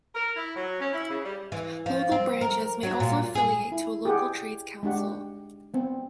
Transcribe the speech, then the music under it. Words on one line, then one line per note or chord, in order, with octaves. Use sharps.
Local branches may also affiliate to a local trades council.
A#4
E4
F#3
C#4
E4
C#3
G3
E3
F3
C4
A#4
F#3
A#2
G#4
E4
G4 G#4 F#5
G#3 D4 G4 F#5
B3 C4